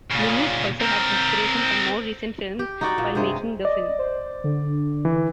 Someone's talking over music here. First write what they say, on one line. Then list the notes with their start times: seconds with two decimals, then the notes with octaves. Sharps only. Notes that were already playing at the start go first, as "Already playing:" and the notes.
Milius also had inspiration from more recent films while making the film.
0.11 A#2 C#3
0.81 C4 A#4
2.59 G4
2.81 D#4 F#4 D5 G5
2.98 A#2
3.15 G2 C3 G#3
3.65 D5 D#5
3.99 C5
4.44 D3
5.05 E3